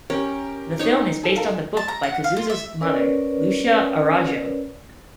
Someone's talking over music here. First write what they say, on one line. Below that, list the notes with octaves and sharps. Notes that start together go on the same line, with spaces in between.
The film is based on the book by Cazuza's mother, Lucia Araujo.
C#4 G4 A#4
D#4 C#5
G#4 A4 E7
A4 A#4 F5
A5
A#5
F#5
F5
F4
E5
C#4 A#4 B4 C#5 D5